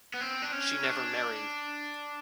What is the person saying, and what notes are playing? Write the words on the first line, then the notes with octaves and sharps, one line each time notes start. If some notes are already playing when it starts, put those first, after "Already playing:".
She never married.
B3
C4
D4
C#4
D4